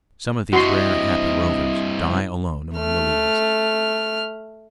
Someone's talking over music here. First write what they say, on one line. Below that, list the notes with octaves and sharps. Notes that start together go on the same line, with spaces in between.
Some of these rare, happy rovers die alone among the leaves.
G2 C3 E4 F#4 D#5 C6
A3 F6